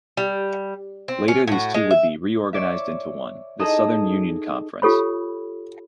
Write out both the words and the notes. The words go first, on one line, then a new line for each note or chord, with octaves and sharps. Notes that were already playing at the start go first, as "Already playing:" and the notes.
Later these two would be reorganized into one, the Southern Union Conference.
G3
C4
C#4
A2 F#4
G#3
E5
C#5 D5 E5
D#4 G#4 A4 D#6 E7
F4 G4 A4 C#5 B5